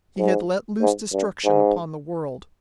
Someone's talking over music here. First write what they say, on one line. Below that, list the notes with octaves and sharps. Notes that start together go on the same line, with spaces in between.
He had let loose destruction upon the world.
G#2
G#2
G2
G#2